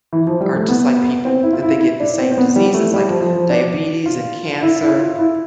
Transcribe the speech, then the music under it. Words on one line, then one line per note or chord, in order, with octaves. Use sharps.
are just like people, that they get the same diseases like diabetes and cancer.
E3
F3
G3
A3
B3
C4
E4
F4
E4
E4
D4
C4
C4
B3
G3
A3
G3
F3
F3
F3
D4
F4
E4
E4
F4
E4